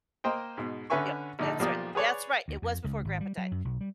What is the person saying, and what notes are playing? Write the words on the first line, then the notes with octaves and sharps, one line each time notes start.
Yep, that's right. That's right, it was before Grandpa died.
A#3 C5 D#5 G5
G#2 B2
D3 C#4 B4 E5 G#5 C#6
A#1 D3 D#4 D5 A5
B1 F3 A#3 G4 D5 D#6
G#4 B4 C#5 D5
D2
F2
C#2
G#1
G3
F#3
F#2
B1
G3